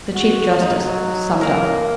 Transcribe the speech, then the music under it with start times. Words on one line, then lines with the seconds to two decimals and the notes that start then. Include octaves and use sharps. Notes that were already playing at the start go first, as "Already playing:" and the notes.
The chief-justice summed up.
0.15 F#4
0.61 F#3 D#4
1.41 A#3 A#4